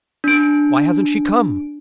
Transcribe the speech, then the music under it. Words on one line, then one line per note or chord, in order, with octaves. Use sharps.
'Why hasn't she come?
D4 D7